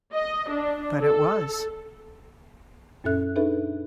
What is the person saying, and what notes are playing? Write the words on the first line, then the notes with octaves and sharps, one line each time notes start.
But it was.
D#5
D4
A4
F#2 A#2 C#4 A4 E5 F#6
D4 D#4 G#4 A4 B4 E5